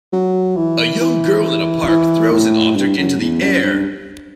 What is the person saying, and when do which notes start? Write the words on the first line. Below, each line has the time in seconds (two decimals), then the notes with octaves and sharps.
A young girl in a park throws an object into the air.
0.13 F#3
0.57 E3
1.00 E3
1.88 E3
2.31 A2
2.76 G2
2.97 F#2
3.20 E2
3.41 F#2
3.63 G2